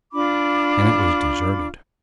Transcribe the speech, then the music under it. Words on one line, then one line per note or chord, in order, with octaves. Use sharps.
And it was deserted.
D4 F4 B5 D6